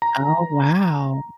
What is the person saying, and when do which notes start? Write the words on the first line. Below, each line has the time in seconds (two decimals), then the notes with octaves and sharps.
Oh, wow.
0.02 A#5